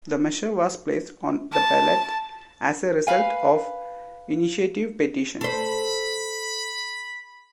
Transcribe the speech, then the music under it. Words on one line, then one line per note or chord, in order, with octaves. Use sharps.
The measure was placed on the ballot as a result of initiative petition.
A5
B4 F5 G#5
A4 C5 B5